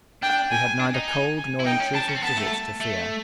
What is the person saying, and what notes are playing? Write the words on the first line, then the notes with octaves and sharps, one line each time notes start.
We had neither cold nor intrusive visits to fear.
D4 G5
G#5
D4
D#4
G#5
G#5
E4
D#4 G5
C#4
D4 A5
C#4
C4
B3 A5
A3
A3